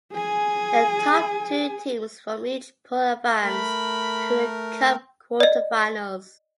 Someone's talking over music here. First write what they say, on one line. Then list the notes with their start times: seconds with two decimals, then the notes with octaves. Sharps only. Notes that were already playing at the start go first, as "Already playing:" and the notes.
The top two teams from each pool advance to the Cup quarterfinals.
0.13 G#4 G#5
3.43 A3 A#4 B5
5.40 D5 D#5